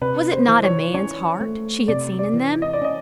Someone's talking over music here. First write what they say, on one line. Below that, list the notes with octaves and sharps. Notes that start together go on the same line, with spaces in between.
Was it not a man's heart she had seen in them?
C3 B4
C5
E3
C#5
C#4 C#5
A3
C3 D5
D5
E3
D#5
D5
C#4 D#5